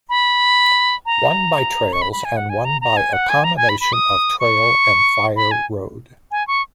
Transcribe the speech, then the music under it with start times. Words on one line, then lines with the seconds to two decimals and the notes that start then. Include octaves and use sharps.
One by trails and one by a combination of trail and fire road.
0.09 B5
1.06 A#5
1.93 C#6
2.02 B5
2.12 B5
2.25 G#5
2.37 F#5
2.50 G#5
2.65 A#5
2.81 A#5
2.97 G#5
3.13 F#5
3.29 G#5
3.44 A#5
3.57 G#5
3.69 B5
3.80 B5
3.93 D#6
4.40 C#6
5.36 B5
5.51 G#5
6.31 G#5
6.48 C#6